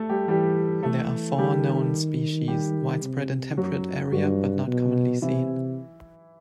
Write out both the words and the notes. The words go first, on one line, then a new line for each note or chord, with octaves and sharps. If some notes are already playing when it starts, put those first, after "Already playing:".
There are four known species, widespread in temperate area but not commonly seen.
Already playing: A3 A4
G3 G4
E3 G3 G4
E3 A3 A4
D#3 G3 G4
G3 G4
C3
F#2 F#3 F#4
G2 F#3 F#4
B2
C3 E3 E4